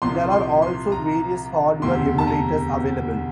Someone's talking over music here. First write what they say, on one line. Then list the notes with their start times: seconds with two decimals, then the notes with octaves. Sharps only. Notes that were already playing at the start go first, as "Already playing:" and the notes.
There are also various hardware emulators available.
0.02 C2 A#2 F3 C6
0.32 C6
0.62 C6
0.92 A#5
1.82 E1 D2 C3 C6
2.18 A5
2.28 A#5